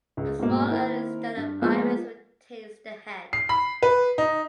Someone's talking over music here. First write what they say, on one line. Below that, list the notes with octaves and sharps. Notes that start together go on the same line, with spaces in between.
A small early study of "Iris" retains the head.
C#2
G#2 B2 A#3
D#3 A#3 C4 E4 A#4
G2
F3 G#3 A#3 B3 F4
C7
B5
B4
D#4